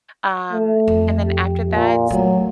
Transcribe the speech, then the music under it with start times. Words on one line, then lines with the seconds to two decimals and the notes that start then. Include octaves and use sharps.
Um, and then after that,
0.52 A3
0.88 F2
1.22 G4
1.70 A#2
2.10 F#3 A3